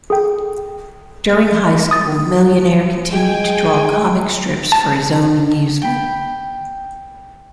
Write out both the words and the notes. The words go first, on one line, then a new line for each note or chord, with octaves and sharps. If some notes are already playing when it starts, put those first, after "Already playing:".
During high school Millionaire continued to draw comic strips for his own amusement.
G#4 A4 G5
D#6 A6
G#3 G5 G#5
A5
G5 B5